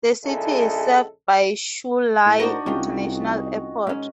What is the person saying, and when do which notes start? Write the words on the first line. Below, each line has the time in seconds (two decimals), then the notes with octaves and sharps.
The city is served by Chu Lai International Airport.
0.24 A#1 C#3 G#3 E4 A4
2.26 A2
2.40 D4 D#4 F#4 A#4 C5
2.66 C2 D#3 C#4 F4
3.87 G#2 C#4